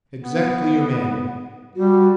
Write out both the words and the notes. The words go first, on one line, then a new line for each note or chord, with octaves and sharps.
"Exactly your man."
B3
G3 F#4